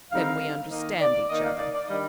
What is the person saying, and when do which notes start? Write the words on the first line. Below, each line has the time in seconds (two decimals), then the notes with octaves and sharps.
"Then we understand each other."
0.12 D3 G3 C4 D#4 F5
0.70 D#3 A#3 D#4 D#5
1.00 D5
1.29 D#3 A#3 D#4 D#5
1.44 F5
1.58 D5
1.74 D5
1.87 D#3 G3 D4 D#5